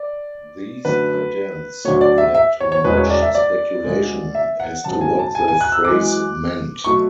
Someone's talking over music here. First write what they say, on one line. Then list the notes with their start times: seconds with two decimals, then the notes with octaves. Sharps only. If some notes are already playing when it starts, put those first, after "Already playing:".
These idents led to much speculation as to what the phrase meant.
Already playing: D5
0.85 F#2 D3 A3 B4
1.85 D2 D3 F#3 A3 C#5
2.01 D5
2.18 E5
2.35 E5
2.60 C#5
2.72 C#5
2.84 E1 D2 C#3 G#3 B4
2.97 C#5
3.10 D5
3.22 E5
3.35 D5
3.84 D2 C#3 G#3
4.35 E5
4.60 F#5
4.84 G#1 F#2 C#3 A5
5.01 G#5
5.19 A5
5.35 G#5
5.48 G#5
5.61 F#6
5.72 E6
5.85 F#2 E3 G#3 D6
6.85 B2 F#3 A3 C#6